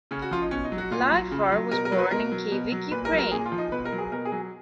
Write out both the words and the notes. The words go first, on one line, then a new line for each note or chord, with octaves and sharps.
Lifar was born in Kyiv, Ukraine.
C#3 C#4
F#4
F3 F4
D#4
B2 C#4
D#4
F#3
F#4
A#2 F4
F#3
C#3
F#3
B2 A#4
A#4
F#3
B4
B2 A#4
F#3
B2
F#3
A#2 B4
A#4
F#3
A#4
A#2 G#4
F4
F3
D#4
B2 B4
A#4
F#3
G#4
B2 A#4
G#4
F#3